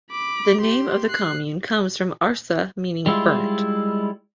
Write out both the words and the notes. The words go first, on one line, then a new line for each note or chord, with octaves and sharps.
The name of the commune comes from "Arsa" meaning "burnt".
B5 D6
G4 C6
F#6 C7
G3 G#3 E4 F4